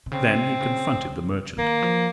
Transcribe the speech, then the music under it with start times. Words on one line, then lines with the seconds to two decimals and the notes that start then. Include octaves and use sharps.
Then he confronted the merchant.
0.06 C3
0.12 C#3 C4
0.36 C3
0.61 C#3
1.58 D#3 A#3
1.82 F3